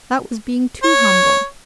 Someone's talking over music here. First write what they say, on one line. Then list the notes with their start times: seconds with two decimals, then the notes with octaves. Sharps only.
That was being too humble.
0.83 C#5